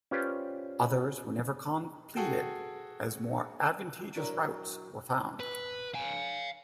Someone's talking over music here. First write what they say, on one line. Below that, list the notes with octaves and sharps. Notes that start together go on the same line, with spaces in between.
Others were never completed, as more advantageous routes were found.
C#4 F4 G4 B4 C5 D5
F#4 G#4 A4 G5
F#3 D4 E4 A#4
B4
F5 G#5